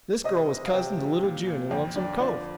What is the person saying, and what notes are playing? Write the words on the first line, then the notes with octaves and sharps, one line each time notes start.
This girl was cousin to little June in Lonesome Cove.
C3 D#5
C3
F5
C3 G5
F3
A#2
A#2
F2 G5
D3 D5
F3 D5